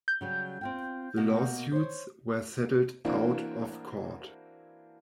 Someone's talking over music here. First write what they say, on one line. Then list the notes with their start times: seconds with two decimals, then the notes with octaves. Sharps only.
The lawsuits were settled out of court.
0.08 G6
0.21 C#3 F#3 G3
0.61 C4 F4 G5
1.17 B2 A#3 F#4
1.72 C5 C#5
3.05 E3 A#3 C4 D4 E4 F#4